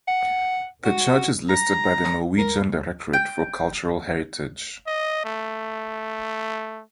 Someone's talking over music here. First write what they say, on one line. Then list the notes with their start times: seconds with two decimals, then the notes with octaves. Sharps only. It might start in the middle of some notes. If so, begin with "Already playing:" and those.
The church is listed by the Norwegian Directorate for Cultural Heritage.
0.08 F#5
0.85 F#4
1.49 A#5
2.38 A#4
3.13 G5
4.87 D#5
5.25 A3